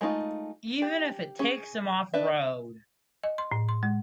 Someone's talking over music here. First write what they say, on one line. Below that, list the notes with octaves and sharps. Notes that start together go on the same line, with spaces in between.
Even if it takes him off road.
G#3 A3 D#4 F4
G4
C#4 G#4
D4 B4 E5
D#5
C6
A2
C6
G#3